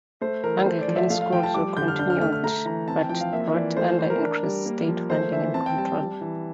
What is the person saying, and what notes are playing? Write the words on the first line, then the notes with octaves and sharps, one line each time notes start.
Anglican schools were continued, but brought under increased state funding and control.
A3 C5
E3 A#4
A3 C5
D5
F3
E5
A3 F5
F5
F3 G5
A5
G3 D6
D3 G6
F6
D4 G6
F6
A3 F6
F6
A3 A#5
E3 A#5
C4 A5
G5
F3 G5
F5
A#3 E5
E3 D5
A3 C5
C5
E3 C5
A#4
D4
G3
A#3
F3
A3 C5
E3 E5
C4 A5
G5
G3 A5
G3
E3